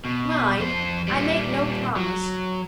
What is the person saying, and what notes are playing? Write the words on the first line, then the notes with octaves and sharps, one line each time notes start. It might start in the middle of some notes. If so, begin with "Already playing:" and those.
Mind, I make no promise!
B2
F2 C5
A#2 G3
F#3